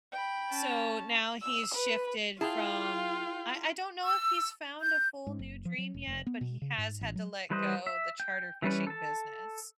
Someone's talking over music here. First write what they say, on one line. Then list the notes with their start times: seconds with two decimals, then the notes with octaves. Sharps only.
so now he's shifted from I I don't know if he's found a full new dream yet, but he has had to let go the charter fishing business,
0.12 G5 B5
0.50 C#4 A5
1.43 E6
1.74 B4
2.41 E4 F4 G#4 F5 G5 A5
4.04 E6
4.79 G6
5.27 G#2
5.39 F#1
5.65 F3
5.78 F#3
5.94 F1
6.07 F1
6.27 B3
6.41 B2
6.62 C#3
6.78 G#2
7.01 A1
7.16 F#3
7.50 E3 G3 B4 C5 D#5
7.87 E5
8.20 G5
8.62 E3 G3 C#4 B4
8.87 A4 A5